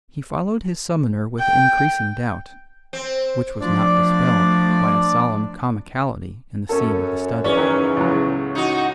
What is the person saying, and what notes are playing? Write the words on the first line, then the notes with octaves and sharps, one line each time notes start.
He followed his summoner with increasing doubt, which was not dispelled by a solemn comicality in the scene of the study.
G5
C4
F3 A3 D4 D5
F#2 C#4 A4
E2 C#3 C#4 D4
F#2 D#3
C#2 A2 F#3
D#4 F#4